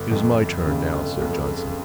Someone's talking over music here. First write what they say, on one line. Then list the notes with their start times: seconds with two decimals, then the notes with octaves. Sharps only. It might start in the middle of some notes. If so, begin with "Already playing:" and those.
"It is my turn now," said Johnson.
Already playing: G1
0.11 F2
0.38 G1
0.66 C#3
0.93 G1
1.21 F2